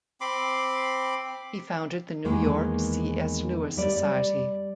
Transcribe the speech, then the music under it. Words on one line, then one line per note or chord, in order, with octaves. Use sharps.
He founded the New York C. S. Lewis society.
C4 B5 C6 D6
E2 D#3 E3 G#3 A#3
G3 D5